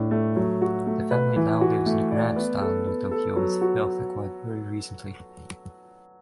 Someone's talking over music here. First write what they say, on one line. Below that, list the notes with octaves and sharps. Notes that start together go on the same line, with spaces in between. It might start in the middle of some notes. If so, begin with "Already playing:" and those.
The family now lives in grand style near Tokyo, with wealth acquired very recently.
Already playing: A2 D4
A3
F#3
F#4
A3
B4
E3
F#4
A3
D5
B3
A4
B3
A4
F#3
F#4